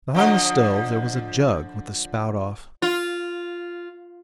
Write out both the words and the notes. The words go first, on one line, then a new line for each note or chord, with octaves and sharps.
Behind the stove there was a jug with the spout off.
D3 F3 D#5
F4